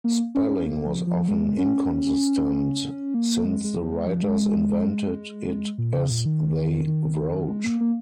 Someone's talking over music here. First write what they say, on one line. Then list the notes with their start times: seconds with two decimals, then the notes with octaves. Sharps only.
Spelling was often inconsistent, since the writers invented it as they wrote.
0.04 A#3
0.35 C#4
0.50 C#4
0.66 A#3
0.86 F3
1.07 F3
1.28 G#3
1.58 C#4
3.14 A#3
3.45 G#3
3.64 G#3
3.76 F3
3.92 G#3
4.07 F3
4.22 G#3
5.78 A#2
5.94 C#3
6.10 A#2
6.26 D#3
6.87 D#3
7.49 G#3
7.64 A#3
7.81 A#3